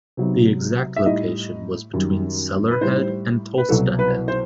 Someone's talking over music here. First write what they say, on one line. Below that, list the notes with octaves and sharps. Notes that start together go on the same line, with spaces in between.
The exact location was between Cellar head and Tolsta head.
C3 F#3 B3 D#4
E5
A2 G3 D#4 D#5
F#2 D#3 G3
B4
A2 G3 D#4 C5
B4
C2 B2 F#3 A4
B4
C5